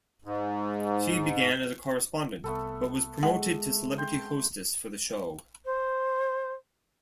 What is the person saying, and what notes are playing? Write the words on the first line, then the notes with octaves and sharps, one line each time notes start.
She began as a correspondent, but was promoted to celebrity hostess for the show.
G#2
C2 A3 B3 A4
G#3 F#5
G5 C6
C5